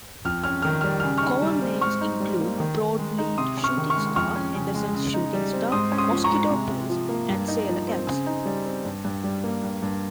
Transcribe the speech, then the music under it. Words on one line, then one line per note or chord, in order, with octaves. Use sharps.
Common names include broad-leaved shooting star, Henderson's shooting star, mosquito bills, and sailor caps.
F2 F6
C#4 F6
D#3 F6
G3 F6
C#3 F6
D#4 C#6 F6
G3
C4
G#2 C#6 F6
D#4
G3
A#3
D#3
D#3
G#3
D#4
C3 C6 D#6
C#4
C#6 F6
D#3
C#6 F6
G#3
F2 C#6 F6
C#4
C#3
G#3
C#3
D#4
G3
C4
G#2 C6 D#6
C#4
C6 D#6
F3
A#5 C#6
G#3
C3
C3
F3
A#3
G2
D#4
F3
C4
C#3
D#4
G3
C4
G2
G2
G3
A#3
G2
G2